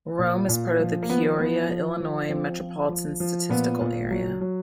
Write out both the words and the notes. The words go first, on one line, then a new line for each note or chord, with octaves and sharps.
Rome is part of the Peoria, Illinois Metropolitan Statistical Area.
A#2
A#2
F3
A#3
F3 B3
F3 B3
F3
F3
F3 C4
F3
F3
F3
A#2 B3
A#2
F#3
F#3